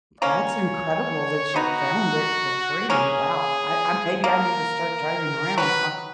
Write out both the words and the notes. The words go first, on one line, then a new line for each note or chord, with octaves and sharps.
That's incredible that you found it for free. Wow. I I maybe I need to start driving around, huh?
A#3 C#4 C#5
B3 D#4 F#4
A#3 C#4 G#4
A#3 A#4
F#3 B4